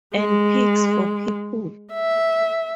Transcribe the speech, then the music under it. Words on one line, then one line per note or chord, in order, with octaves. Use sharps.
And pigs for people.
G#3
E5